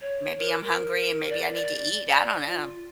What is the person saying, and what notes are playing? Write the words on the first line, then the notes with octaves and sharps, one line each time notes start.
Maybe I'm hungry and maybe I need to eat. I don't know.
C#5
A#4
D5
D5
F4